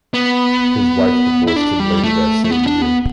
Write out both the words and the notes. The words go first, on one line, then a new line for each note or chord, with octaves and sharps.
His wife divorced him later that same year.
B3
E4
D4
G3
A3
A3
B3
D4
B3